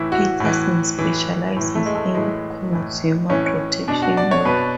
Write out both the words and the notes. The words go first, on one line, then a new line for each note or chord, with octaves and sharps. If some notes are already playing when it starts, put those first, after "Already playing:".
Peterson specializes in consumer protection law.
Already playing: A2 E3 E4
F#4
A2 E3
A2 E3
A2 E3
A3
G#3
A3
A2 E3 G#3
A2 E3
A2 E3 C#4
B2 D4
F#4
D5
C#5
B2 B4